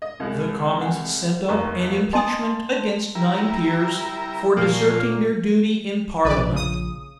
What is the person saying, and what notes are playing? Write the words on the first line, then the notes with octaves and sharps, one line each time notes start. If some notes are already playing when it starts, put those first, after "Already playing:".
The commons sent up an impeachment against nine peers, for deserting their duty in parliament.
D#5
C2 G#3
F#5 G#5
F1 D#2 A#5 C#6
D#5 G#5 A5 C6 D#6
G3 E4 A#4
A#2 F3 A#3 C#5 F5
A#1 B4 D5
C#3 D#6